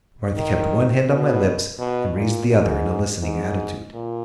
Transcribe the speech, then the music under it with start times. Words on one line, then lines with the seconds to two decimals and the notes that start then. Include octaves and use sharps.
Martha kept one hand on my lips, and raised the other in a listening attitude.
0.37 D#3
1.09 B2
1.79 B2
2.16 A#2
2.50 G#2
3.22 G#2
3.94 A#2